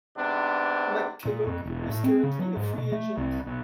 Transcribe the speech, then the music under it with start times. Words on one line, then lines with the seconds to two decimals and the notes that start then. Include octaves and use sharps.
McCullough is currently a free agent.
0.16 G#2 C3 B3 D4
1.25 A#2
1.46 F2
1.65 E1
1.88 A2
2.04 C4
2.23 C#3
2.39 F#3
2.56 G#2
2.78 B2
2.92 A3
3.17 C2
3.46 B1